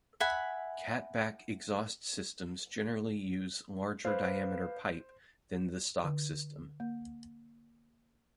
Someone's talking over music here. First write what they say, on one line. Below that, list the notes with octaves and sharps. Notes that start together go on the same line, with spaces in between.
Cat-back exhaust systems generally use larger diameter pipe than the stock system.
E5 F#5 G#5 B5
B4 C5 F5
D3
A#3